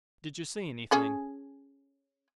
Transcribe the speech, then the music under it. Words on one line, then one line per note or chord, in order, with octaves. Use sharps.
'Did you see anything?'
C#4 G#4 A4